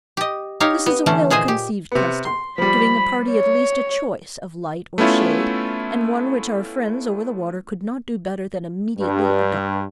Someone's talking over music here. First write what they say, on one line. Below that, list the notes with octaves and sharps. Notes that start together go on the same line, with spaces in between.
This is a well-conceived custom, giving the party at least a choice of light or shade, and one which our friends over the water could not do better than immediately adopt.
G4 D#5
D#4 G4 C#5 F5
B3
D3 E3 A3 C#4
A#2 G#4 C5 D#5 G#5
G4
C3 B3
C6
F3 G3 B5
C#5
A3 B3 C#4 E4 F4
G2